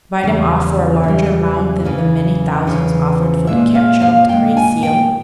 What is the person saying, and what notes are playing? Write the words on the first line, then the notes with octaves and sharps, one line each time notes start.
Buy them off for a larger amount than the many thousands offered for the capture of the Gray Seal?
E2 C#3 G3
E2 C#3 G3
E2 C#3 E3
E2 C#3 E3
A#2 G#3 E5
F5
F5
A#2 G#3 G5
G#5
G5